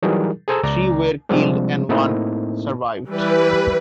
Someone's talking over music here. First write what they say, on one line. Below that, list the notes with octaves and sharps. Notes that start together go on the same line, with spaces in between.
Three were killed and one survived.
E3 F#3 G3 D#4 G#4 A#4
G#4 A4 C5 G#5 A#5 E6
C#2 D5 A#5
C3 F3 G3 G#3 C4 D4
A2 A3 A#3 C4 D#4 E4
E3 G3 B4